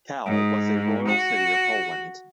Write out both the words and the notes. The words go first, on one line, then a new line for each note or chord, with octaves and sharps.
Kowel was a royal city of Poland.
G#2
F#4